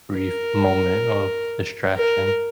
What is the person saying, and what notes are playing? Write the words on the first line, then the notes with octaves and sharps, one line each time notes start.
brief moment of distraction.
A#4
A#4